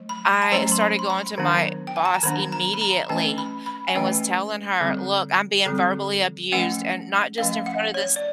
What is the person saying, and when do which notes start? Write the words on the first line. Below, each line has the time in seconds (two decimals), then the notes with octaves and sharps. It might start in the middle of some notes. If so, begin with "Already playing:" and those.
I started going to my boss immediately and was telling her, "Look, I'm being verbally abused and not just in front of this"
Already playing: F#3 A3
0.09 B5
0.42 A5
0.52 F#3 A3 C#4 A#5
0.72 C6
0.81 B5
0.99 C6
1.10 B5
1.38 D#3 F#3 B3 D4
1.87 G5
1.96 G#5
2.05 A5
2.14 A#5
2.23 D#3 F#3 B3 D4 B5
2.52 A#5
2.73 B5
2.81 A#5
3.09 E3 A3 C#4 A5
3.38 B5
3.66 B5
3.88 G#5
3.94 E3 A3 C#4 G5
4.81 D3 G3 C4
5.66 D3 G3 C4
6.52 F3 A3 C#4 F#5
7.38 F3 A3 C#4 F5
7.66 F#5
7.94 C#5
8.16 D5